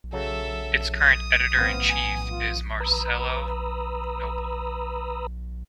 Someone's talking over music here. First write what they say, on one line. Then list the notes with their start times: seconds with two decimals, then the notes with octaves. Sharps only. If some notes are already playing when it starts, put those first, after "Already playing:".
Its current editor-in-chief is Marcelo Knobel.
0.13 C#3 F#3 A4 E5
0.96 D#6
1.57 A1 B3 C4 F5
1.89 G#5
2.30 F4
2.80 B4 A#5 B5 D#6 E6